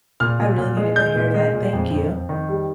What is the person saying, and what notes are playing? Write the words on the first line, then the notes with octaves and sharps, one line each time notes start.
I really needed to hear that. Thank you.
A#2 F6
A#2
A#2
G#3
G#3 G6
A#2
G#3
A#2
F2
F2
F2
D#3
G3